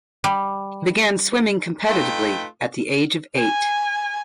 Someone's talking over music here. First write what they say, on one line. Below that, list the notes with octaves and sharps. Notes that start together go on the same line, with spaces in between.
He began swimming competitively at the age of eight.
G3
A3 D#4 F4 B4 G5
G#5